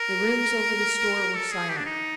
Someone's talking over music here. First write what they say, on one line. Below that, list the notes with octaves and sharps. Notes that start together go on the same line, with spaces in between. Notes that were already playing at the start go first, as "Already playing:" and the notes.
The rooms over the store were silent.
Already playing: A#4
A4
G#4
G4
D4
D#4